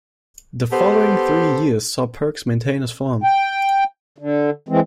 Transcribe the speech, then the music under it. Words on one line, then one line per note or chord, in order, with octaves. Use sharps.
The following three years saw Perks maintain his form.
B3 G4 A4 C5
G5
D3
E3 G#3 C4